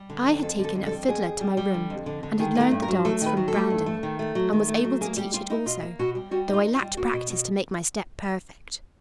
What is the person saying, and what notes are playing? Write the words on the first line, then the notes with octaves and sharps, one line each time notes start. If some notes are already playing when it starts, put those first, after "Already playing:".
I had taken a fiddler to my room and had learned the dance from Brandon; and was able to teach it also, though I lacked practice to make my step perfect.
Already playing: G3
D3
F2
F2 A4
D3
A4
F2
A4
G3
F2 G#4
F2
G3
G3
D3
F2
D3
D3
D#3 G#4
A3
A#4
G2
A#4
F#3
A3 A4
D#3
B4
F#3
A4
A3
G2
A3
D#3
A3
F#3
D#3
A3
F#3
A#3 G#4
G3 G4
G3 F4
D#4 E4
B2 F4
A#3
B2 F#4
G3
G3 F#4
D#4
F4
D#4
F4
G3
A#3 F#4
B2
B2